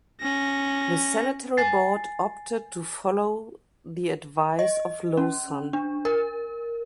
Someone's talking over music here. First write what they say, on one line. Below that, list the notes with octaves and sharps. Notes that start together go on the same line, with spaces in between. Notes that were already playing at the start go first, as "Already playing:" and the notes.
The Sanitary Board opted to follow the advice of Lowson.
C#4 A#6
G#5 A6 C7
D#5
C#4
D4
A#4